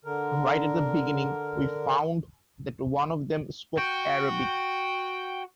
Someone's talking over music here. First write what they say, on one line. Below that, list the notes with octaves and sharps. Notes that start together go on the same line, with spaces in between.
Right at the beginning, we found that one of them spoke Arabic.
D3 A#4
F#4 G5